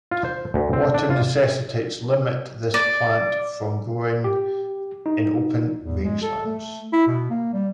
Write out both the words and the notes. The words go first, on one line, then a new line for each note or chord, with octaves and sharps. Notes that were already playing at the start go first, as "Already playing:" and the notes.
Water necessities limit this plant from growing in open rangelands.
F4
C5
D2
C4
D4
F4
D5
G4
D#4
E2
G#3
A4
A3
E4
B2
A#3
G3